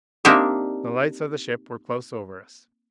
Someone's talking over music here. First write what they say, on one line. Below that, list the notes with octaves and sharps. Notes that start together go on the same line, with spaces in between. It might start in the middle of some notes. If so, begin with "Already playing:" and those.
The lights of the ship were close over us.
A#3 C4 D4 D#4 G4 E5